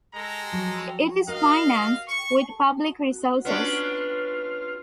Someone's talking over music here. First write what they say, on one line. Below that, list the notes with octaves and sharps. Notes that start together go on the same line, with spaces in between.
It is financed with public resources.
G#3 A4 A#5
F3 F#3
F#4 A#4 D#5 F5
C#6
B3 C#4 D4 F4